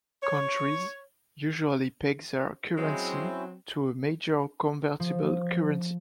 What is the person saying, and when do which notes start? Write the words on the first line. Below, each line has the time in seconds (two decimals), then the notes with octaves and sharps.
Countries usually peg their currency to a major convertible currency.
0.23 C#5
2.77 F#3 G#3 C4 C#4 E4 C5
5.00 F3